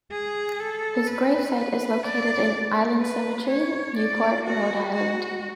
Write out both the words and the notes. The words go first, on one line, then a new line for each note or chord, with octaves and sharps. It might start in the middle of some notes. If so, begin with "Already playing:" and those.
His grave site is located in Island Cemetery, Newport, Rhode Island.
G#4
A4
B4
B4
D5
B4
C#5
D5
F#4
F#4